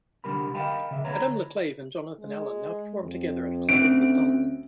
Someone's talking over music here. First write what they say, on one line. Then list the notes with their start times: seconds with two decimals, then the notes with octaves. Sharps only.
Adam LaClave and Jonathan Allen now perform together as Club of the Sons.
0.24 C2 G2 D3 G3 A#4 B5
0.54 A#4 C5 D#5 F5 G5 B5
0.91 C#3 E5
1.04 D2 B4 C#5 A#5 B5
2.20 G#3
3.00 F2
3.69 D2 C4 C#4 E5 D7